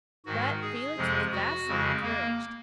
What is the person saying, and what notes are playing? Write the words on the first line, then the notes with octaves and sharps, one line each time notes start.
But Felix was vastly encouraged.
G#2 D#3 G#3 F#4
G#4
F2 C3 F3 G#3
F#4
F2 C#3 G#3
A#3